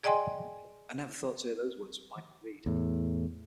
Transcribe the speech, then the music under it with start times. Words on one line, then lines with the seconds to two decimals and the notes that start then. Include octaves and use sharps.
I never thought to hear those words from Michael Reid.
0.03 G#4 D5 D#5 G5 G#5 C6
2.66 E2 A2